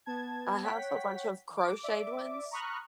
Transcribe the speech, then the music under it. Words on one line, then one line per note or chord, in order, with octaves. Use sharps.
I have a bunch of crocheted ones,
B3 A5 G#6
C#5 F#5 G5 B6
D6
D5 E5 D6
A#5 B5 C#6 D#6 F6 F#6